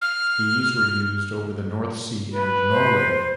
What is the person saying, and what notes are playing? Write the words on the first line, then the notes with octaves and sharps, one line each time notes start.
These were used over the North Sea and Norway.
F6
B4
C5